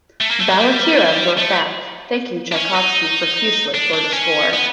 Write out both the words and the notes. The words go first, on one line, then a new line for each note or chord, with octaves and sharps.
Balakirev wrote back, thanking Tchaikovsky profusely for the score.
A3
A#3
A3
G#3
G3
A3
D4
C#4
D#4
D4
D4
C#4
B3